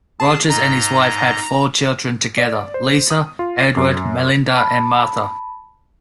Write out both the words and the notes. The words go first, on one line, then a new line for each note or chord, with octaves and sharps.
Rogers and his wife had four children together: Lisa, Edward, Melinda and Martha.
G#4 A5
G#2 D#5 A#5
D5
C5
D#6
F4
C7
F#2
A5 B5